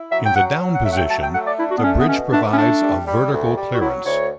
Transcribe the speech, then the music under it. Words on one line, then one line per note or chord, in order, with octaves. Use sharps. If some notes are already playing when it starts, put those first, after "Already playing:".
In the down position, the bridge provides of vertical clearance.
Already playing: E4
F#3 E5
G5
F#3 F#5
F#3
F#5
A3 E5
F#5
G5
F#3 A5
G5
A3 F#5
D5
D4 E4
F#4
B3
A3 C#4
B3
B2 C#4
A3 D4
C#4
A3 D4
G3
G3
D2
G3
F#4
F#3 E4
D2 C#5